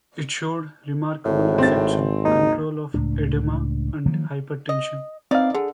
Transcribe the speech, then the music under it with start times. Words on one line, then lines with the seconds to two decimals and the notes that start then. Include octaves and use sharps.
It showed remarkable effects on control of edema and hypertension.
1.25 G#1 A2
1.58 C4 A6
2.25 D#2 D#4
2.94 C#2 A2 D4
4.06 D#3 F3 F#3 A#3
4.69 D#5
5.31 E3 C4 D#4 D5 F5
5.55 D3 G#4